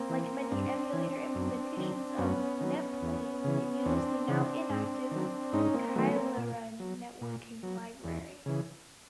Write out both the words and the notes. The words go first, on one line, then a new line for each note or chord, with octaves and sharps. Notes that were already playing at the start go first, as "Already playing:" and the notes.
Like many emulator implementations of "NetPlay", it uses the now inactive Kaillera networking library.
Already playing: A#3 C4
E3
G2 C4 D4
E3
F#2
D#3 F#3
F#2 B3 C#4
D#3 F#3
E2
C#3 E3
E2 C4 D4
C#3 E3
G#2
D#3 F#3
G#2 C#4 D#4
A#3 C4
C4
D#3 F#3 A3 B3
A#3 C4
A#2
F#3
A#2
F#3
E2
C#3 E3